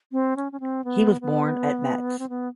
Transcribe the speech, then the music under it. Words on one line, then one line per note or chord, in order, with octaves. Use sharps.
He was born at Metz.
C4
C#4
C#4
C4
B3
B3
C4
B3